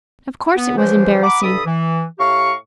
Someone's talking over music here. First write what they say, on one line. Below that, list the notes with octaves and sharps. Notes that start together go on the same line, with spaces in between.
Of course it was embarrassing.
B3
C#2 E3 F3 C5
F#5 A#5 B5 D6
G2 C3 A4 B5 D#6
E3
A2 G4 F5 A#5 C#6